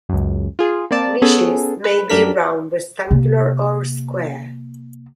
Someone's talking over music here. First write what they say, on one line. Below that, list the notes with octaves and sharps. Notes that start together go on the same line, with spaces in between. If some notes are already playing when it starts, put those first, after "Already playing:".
Knishes may be round, rectangular, or square.
C#2 F#2
F4 G#4
A#3 C4 D5 A5
B3 C#4 G#4 A4
B4
F#2 G3 D4 A#4 B6
C3 A#3